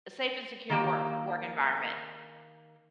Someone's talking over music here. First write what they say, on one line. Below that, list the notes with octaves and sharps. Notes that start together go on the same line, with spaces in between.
a safe and secure work f work environment,
D#3 A#3 G4